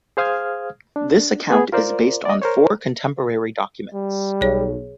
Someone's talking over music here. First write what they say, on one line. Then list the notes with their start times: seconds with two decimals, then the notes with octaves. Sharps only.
This account is based on four contemporary documents.
0.17 G#4 C5 F5 D#6 F6 G#6
0.96 D4
1.50 B3 G#4
1.72 F4 A#4 C5 D5
2.25 D5 D#5
2.42 A#4 C5 C#5
3.94 G3
4.41 B1 G#4 C#5